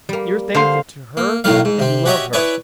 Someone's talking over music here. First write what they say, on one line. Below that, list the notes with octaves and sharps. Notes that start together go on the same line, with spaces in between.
You're thankful to her, and you love her.
G3 A#3
D3 C5 F5 C6
A#3
B1 A2 D#3 F#3 A#3 F5
G#2
C3 C4
F#4 G4 C#5 D#5 E5
E4 B4 C#5 D5 G#5